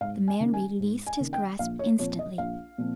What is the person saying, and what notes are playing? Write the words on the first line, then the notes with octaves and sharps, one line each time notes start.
The man released his grasp instantly.
G#2 F5
G#5
D#3 A#3 C#4
G#5
G#2
G#5
D#3 A#3 C#4
G5
A#1 F5
C#5
A#2 F3 C4 C#5
D#5
A#1 F5
A#2 F3 C4